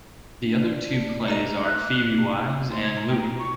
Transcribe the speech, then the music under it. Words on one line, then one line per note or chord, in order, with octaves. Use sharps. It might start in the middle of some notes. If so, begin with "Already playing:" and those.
The other two plays are "Phoebe Wise" and "Louie".
D4
G#3 D#4 A#5
F#6
C6
G#6
A#5
G5
A#5
C#6